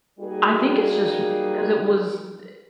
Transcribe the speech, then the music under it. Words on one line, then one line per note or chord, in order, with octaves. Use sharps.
I think it's just 'cause it was, eh
G3 A#3 D#4 F#4 G#4